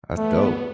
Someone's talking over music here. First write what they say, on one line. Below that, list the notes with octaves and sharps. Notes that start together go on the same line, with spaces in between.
That's dope.
A3 B3